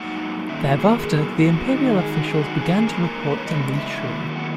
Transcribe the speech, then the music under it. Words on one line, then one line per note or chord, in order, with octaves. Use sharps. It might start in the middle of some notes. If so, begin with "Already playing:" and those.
Thereafter, the imperial officials began to report to Li Chun.
Already playing: G#2 F#3 A#3 D#4 F#5
D#3 F#3 A#3 C#4 E5
F#4
G#4
A#4
G#4
A#2 F#3 B3 E4
F#4
D#3 G#3 D#4
G#4
F#4
E2 D#3 F#3 C#4 G#4
F#4
G#4
G#4
G#2 E3 A#3 C#4 A#4
B4
C#5
C#3 E3 G#3 B3 E4 D#5
E5
D#3 F#3 A#3 E4
F#5